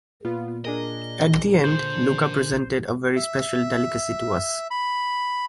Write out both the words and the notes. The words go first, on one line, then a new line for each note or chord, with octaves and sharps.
At the end Luca presented a very special delicacy to us.
A#2 B3 F4
D4 G#4 A#4 D#5
D3 C5
E5
B5